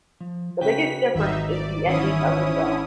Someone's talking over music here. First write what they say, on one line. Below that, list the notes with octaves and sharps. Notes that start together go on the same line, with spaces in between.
The biggest difference is the ending of the film.
F3
C#3 F#4 B4 G5 B6
G#1 D#4 E5
D5
D#3 E3 C#4 E4 D#6